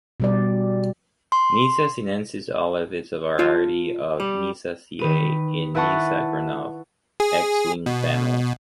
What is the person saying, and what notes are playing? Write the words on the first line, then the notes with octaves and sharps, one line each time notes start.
Nyssa sinensis Oliv is a variety of Nyssaceae in Nyssa Gronov. ex Linn family.
B2 G3 D5
C6
F4 A5
G3
D#3 B4 D#7
E4 B4 F#5 A5 C#6
G#4
B2